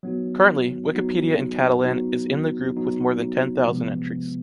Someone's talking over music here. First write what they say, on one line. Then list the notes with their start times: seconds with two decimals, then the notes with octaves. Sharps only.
Currently, Wikipedia in Catalan is in the group with more than ten thousand entries.
0.03 F#3 B3 D#4 F#4
0.94 F#3 B3 D#4 F#4
1.85 F#3 B3 D#4 F#4
2.76 F#3 B3 D#4 F#4
3.68 C3 F3 G#3 B3